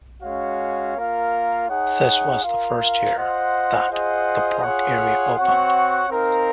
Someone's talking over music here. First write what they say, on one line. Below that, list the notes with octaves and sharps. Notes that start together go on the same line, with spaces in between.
This was the first year that "The Park" area opened.
G#3 C#4 F#4 C#5 F5
A#3 F4 A#4 F5
D#4 G#4 C#5 F#5
F4 A#4 F5
F4 C5 D#5 F#5
F4 G#4 C5 D#5 F#5
F4 G#4 C#5 F#5
C4 F#4 C#5 F#5
C4 D#4 A#4 F5